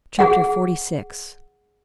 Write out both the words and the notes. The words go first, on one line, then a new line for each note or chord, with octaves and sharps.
Chapter XLVI.
G#4 F#5